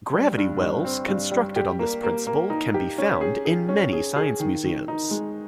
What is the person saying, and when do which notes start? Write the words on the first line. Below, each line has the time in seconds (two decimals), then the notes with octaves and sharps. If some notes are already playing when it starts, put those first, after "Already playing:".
Gravity wells constructed on this principle can be found in many science museums.
0.13 G3
0.38 G2
0.61 G2
0.85 C4
1.08 G2
1.31 G3
1.56 G4
1.79 A#3
2.03 A#3
2.27 A#3
2.50 D#4
2.74 G4
2.98 C#4
3.21 G#4
3.45 G#4
3.69 C#4
3.93 G#4
4.16 G#4
4.40 D#3
4.64 D#3
4.88 D#4
5.11 G#3